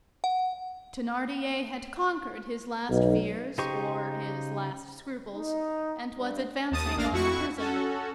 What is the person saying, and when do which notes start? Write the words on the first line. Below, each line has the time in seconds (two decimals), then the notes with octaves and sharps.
Thenardier had conquered his last fears or his last scruples, and was advancing on the prisoner.
0.24 F#5
2.89 B1
3.58 C#3 D#4 G4 C5 C#6
5.34 D#4
6.16 G2
6.71 D#2 A5 D#6
6.96 A1 A#3 D4 F5 A#6
7.11 F2 E4 F#4 C#6
7.57 C#4 F#4 A4